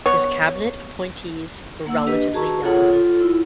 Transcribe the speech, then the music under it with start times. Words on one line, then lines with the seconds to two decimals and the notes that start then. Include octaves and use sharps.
His cabinet appointees were relatively young.
0.06 B3 C#5
1.87 A#3 F#5 E6
2.07 D4 G4 B4 D#5
2.34 F#4 G#4 A5 A#5 C#6
2.63 F4 G#4 A4 C#5 F#5
2.93 F4 A4
3.21 E4